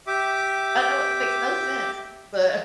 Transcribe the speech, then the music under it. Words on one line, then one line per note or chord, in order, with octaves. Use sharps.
I know it makes no sense, but
G4 E5 D6